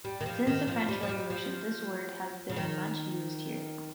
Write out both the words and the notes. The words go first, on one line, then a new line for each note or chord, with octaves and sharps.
Since the French Revolution this word has been much used here.
G3
D#3
F3
D#3
F3
G3
F3
G3
F3
C#3
D#3